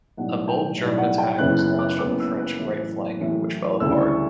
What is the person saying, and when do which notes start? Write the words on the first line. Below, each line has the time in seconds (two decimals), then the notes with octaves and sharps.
A bold German attack was launched on the French right flank, which fell apart.
0.17 B1 A2 G3 F#5
0.48 G5
0.78 B1 A2 G3
0.98 F#5
1.18 G5
1.38 F#1 F#2 C#3 E3 B3 F#6
1.59 F#6
1.79 D6
1.99 F#1 F#2 C#3 E3 B3 D6
2.20 E6
2.40 F#6
2.60 A1 A2 E3
3.20 A1 A2 E3
3.80 D2 C#3 E3 G3 E6
4.01 C#6